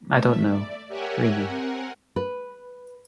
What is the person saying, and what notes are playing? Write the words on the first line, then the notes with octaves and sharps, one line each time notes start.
I don’t know. Dreaming.
A3 E5
D5
G4 A#4 C#5 E5 F#5 G#5
C4 A#4 F#5 G#5
B4